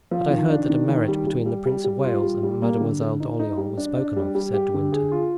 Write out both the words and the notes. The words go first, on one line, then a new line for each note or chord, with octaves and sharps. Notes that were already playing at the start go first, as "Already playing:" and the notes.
"But I heard that a marriage between the Prince of Wales and Mademoiselle d'Orleans was spoken of," said De Winter.
F3
D#3
D4
D#3
D#3
G3
G3
G3
G3
G3
F4
G3
G3
A#3
D3
D3
D#4
D#4
G3
D4
D4
G3
G3
G4
D3
G#4
F4